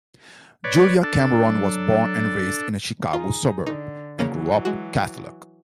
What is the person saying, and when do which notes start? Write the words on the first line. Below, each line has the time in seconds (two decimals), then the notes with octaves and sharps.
Julia Cameron was born and raised in a Chicago suburb, and grew up Catholic.
0.64 B4 C#5 D5
1.04 D4 A4
1.41 F#3
3.13 D#4 F4 G#4
3.67 D3 D#4
4.19 C#3 E3 F#3 A#3 C#4
4.65 G#3 F#4